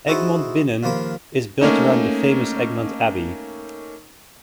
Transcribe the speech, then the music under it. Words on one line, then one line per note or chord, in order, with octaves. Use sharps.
Egmond-Binnen is built around the famous Egmond Abbey.
D#4 E4 F#4 G#4 A4 C5
D#2 F3 A#3 C5 B5
A3 A#3 C#4 D#4